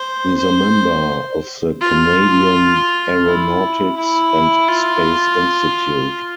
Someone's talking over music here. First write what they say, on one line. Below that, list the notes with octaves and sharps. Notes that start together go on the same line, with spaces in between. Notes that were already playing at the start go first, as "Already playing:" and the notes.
He is a member of the Canadian Aeronautics and Space Institute.
Already playing: C5
C5
F4
E4
E4
F4